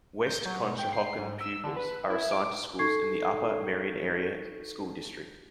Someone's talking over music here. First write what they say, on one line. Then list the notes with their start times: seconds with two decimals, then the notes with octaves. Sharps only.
West Conshohocken pupils are assigned to schools in the Upper Merion Area School District.
0.26 G6
0.45 F#3
0.64 B2
0.79 G5
0.93 C7
1.18 G#2
1.41 E6
1.64 D3
1.77 B4
2.10 E4
2.31 D6
2.79 D#4 A4 C#6 G#6 C7